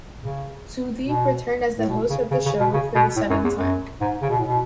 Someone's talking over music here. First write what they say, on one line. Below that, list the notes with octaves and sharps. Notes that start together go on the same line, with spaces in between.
Sudeep returned as the host of the show for the seventh time.
C#3
B2
A2
B2
C#3
C#3
C#3
B2
C#3
B2
A2
F#2
E2
F#2
G#2
C#3
B2
A2
B2